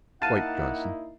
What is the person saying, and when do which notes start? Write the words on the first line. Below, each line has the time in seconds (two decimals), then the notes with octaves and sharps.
"Quite, Johnson."
0.22 A#3 D#4 E4 F5 F#5 A5 A6 D#7